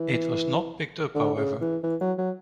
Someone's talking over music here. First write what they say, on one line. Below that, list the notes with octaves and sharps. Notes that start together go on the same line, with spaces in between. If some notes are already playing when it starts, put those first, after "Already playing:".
It was not picked up, however.
Already playing: E3
D3
C#3
E3
E3
F#3
F#3